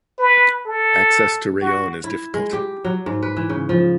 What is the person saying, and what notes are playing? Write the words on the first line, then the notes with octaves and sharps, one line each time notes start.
Access to Rayones is difficult.
B4
A4
F#4
E4
G#3
G4
F#3
G#2
B4
E3
C#3
F3